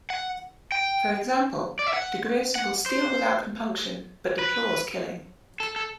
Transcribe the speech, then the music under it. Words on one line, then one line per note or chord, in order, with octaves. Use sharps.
For example, diGriz will steal without compunction, but deplores killing.
F#5
G5
D5
E5
F#5
F#5
C5
B4
A4
A4